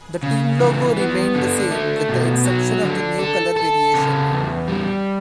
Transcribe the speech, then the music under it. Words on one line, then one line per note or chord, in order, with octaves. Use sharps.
The team logo remained the same, with the exception of the new color variation.
C#3
E3
B3
D3
A3
B2
F#3
D3
A4
A4
C#3
E2
G3